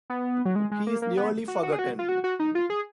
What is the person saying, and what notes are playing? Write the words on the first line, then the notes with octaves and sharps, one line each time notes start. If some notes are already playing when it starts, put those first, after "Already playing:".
He is nearly forgotten.
B3
F#3
G#3
G#3
A#3
A#3
B3
F#4
F#4
G#4
F#4
F4
F#4
F#4
D#4
F4
G#4